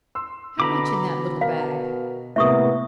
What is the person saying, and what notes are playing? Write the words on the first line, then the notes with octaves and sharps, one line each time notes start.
"How much in that little bag?"
C6 E6
B2 D3 A#5 B5 D6
A#4 F5
A2 C3 A#3 B3 E5 C#6 D#6